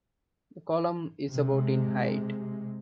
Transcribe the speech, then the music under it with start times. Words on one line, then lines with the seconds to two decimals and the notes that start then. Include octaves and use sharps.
The column is about in height.
1.29 C3 G#3